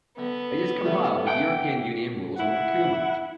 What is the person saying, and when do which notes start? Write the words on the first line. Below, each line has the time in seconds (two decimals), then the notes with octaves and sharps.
It also complied with European Union rules on procurement.
0.18 D3 B3
0.84 F#3 G3 A3
1.27 E3 F#5 G5 D6
2.37 E4 F#5